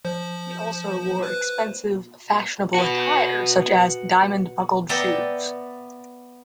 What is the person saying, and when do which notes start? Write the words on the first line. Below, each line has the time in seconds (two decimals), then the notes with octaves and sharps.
He also wore expensive fashionable attire such as "diamond-buckled shoes".
0.05 F3 C5
1.23 B4 C5 F#6
2.74 F#4 B4
4.89 B3 D5 E5 G5 A#5